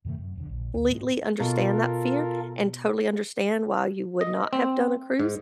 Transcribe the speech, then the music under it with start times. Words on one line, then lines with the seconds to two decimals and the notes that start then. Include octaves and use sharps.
completely understand that fear, and totally understand why you would not have done a cruise,
0.05 F#2 C3 D#3 A3
0.18 F#2
0.35 E1 F2 D3
0.49 A#1
0.75 D2
0.90 A2 G#3
1.40 B2 F4 A4 A#4
4.21 D#5
4.53 C4
5.19 G#2